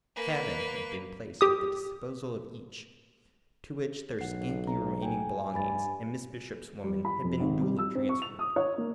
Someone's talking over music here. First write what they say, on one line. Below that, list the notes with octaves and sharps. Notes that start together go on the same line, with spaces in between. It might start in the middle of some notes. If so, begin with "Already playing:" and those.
A cabin had been placed at the disposal of each, to which their scanty remaining belongings and Miss Bishop's woman had been duly transferred.
A#3 B4
G4 D#6
B1 F#5 C7
A#5
G5 G#5
G2 G#5 B5 A6
G3
B5
F2
G#1
G3
E6
C4
C#6
F7
D#6
C#5
A#3